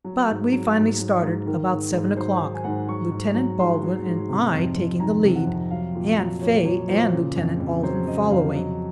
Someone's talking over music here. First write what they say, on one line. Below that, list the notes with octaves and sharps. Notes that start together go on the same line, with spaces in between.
But we finally started, about seven o'clock, Lieutenant Baldwin and I taking the lead, and Faye and Lieutenant Alden following.
F#3
G#2
F#3
G#2
F#3
G#2
D#3 A#4
G#2
G#2
F#3 C5
D#3
G#5
G#2 F#5
F#3 C#6
G#2
F#3
G#2 C6
F#3
G#2
C3
F2
F2
D#3 A#5
C3
F#5
F2
F#3 F5
A#2
F#3
A#2 C#5
F#3 C#5
A#2 C5
C#3
F2
F2
F#3 C5
C#3 D#5
F2 F5
F#3 D#5